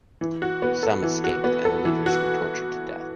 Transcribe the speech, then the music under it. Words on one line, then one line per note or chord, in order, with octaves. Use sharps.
Some escaped and the leaders were tortured to death.
E3
F#4
B3
A4
E3
F#4
B3
A4
E3
F#4